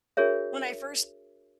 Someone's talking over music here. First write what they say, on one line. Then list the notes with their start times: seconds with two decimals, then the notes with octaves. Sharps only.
when I first
0.17 D4 F#4 G#4 A#4 C#5 E5